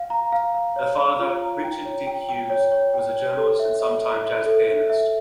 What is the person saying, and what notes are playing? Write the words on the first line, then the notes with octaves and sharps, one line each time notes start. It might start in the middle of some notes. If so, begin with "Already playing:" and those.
Her father, Richard "Dick" Hughes, was a journalist and sometime jazz pianist.
Already playing: F5
A#5
F5
F5
C#5
F5
F4
A#5
G5
C#5
G5
G5
C#5
C#5
G5
C#5
A4
E5
E5
E5
E5
A4
E5
E5